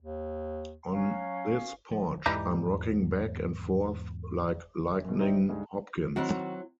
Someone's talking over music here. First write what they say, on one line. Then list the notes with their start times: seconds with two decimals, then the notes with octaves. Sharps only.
On this porch I'm rockin', back and forth like Lightnin' Hopkins.
0.02 D#2
0.93 F#3 C#4 F5
1.91 F3
2.26 E2 G#2 E3 G3 G#3 D#4
5.05 F#2 B2
5.19 D#4 C5 D5 E5 G5 A#5
5.35 B4
5.49 D2 G#2 G3 G#3 G4 G#4
6.16 D#3 F#3 C4 E4 F#4